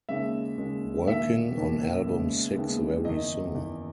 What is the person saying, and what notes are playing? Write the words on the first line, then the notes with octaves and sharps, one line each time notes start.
Working on album six very soon.
D#2 C#3 G#3 E5
D#2 C#3 G#3
E1 D#2 D#3 E5
E1 D#2 D#3
D#2 C#3 G#3 B3
D#2 C#3 G#3 B3
F#1 E2 D#3 D#5
F#1 E2 D#3